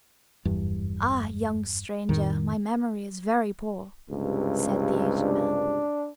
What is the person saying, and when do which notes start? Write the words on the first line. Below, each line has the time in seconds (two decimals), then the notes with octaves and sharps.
"Ah, young stranger, my memory is very poor!" said the aged man.
0.45 F#1 E2 G2
2.09 F2 A2 D#3
4.09 C#2 G2 C3
5.20 D4